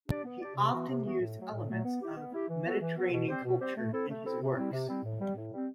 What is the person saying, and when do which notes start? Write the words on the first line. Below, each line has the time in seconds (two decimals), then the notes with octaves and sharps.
He often used elements of Mediterranean culture in his works.
0.08 D4 G4 D5
0.24 B3
0.40 D4 G4 D5
0.56 C3
0.72 E3 B3 F#4
0.88 C3
1.05 E3 B3 F#4
1.20 A2
1.37 F#3 A3
1.52 A2
1.68 F#3 A3
1.84 B3
2.00 E4 G4
2.16 B3
2.32 E4 G4
2.48 E3
2.65 B3 F#4 A4
2.80 E3
2.96 B3 F#4 A4
3.12 B2
3.28 G3 C4 G4 C5
3.44 B2
3.60 G3 C4 G4 C5
3.76 A3
3.92 C4 E4 A4
4.09 A3
4.24 C4 E4 A4
4.41 C3
4.56 G3 C4 E4
4.72 C3
4.88 G3 C4 E4
5.04 A2
5.20 G3 C4
5.36 A2
5.52 G3 C4